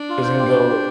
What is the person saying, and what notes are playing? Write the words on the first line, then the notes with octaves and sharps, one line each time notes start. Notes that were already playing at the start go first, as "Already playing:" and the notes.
'cause it can go
Already playing: D4
F4
C5
G4
C5
G4